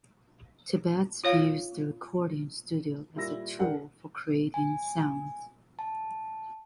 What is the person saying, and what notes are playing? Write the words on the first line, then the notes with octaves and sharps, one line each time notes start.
Tibbetts views the recording studio as a tool for creating sounds.
F4 C#5 F5
A#2 G3 E4 E6 A#6
D4 G4 A#4 F#5
G#5
A5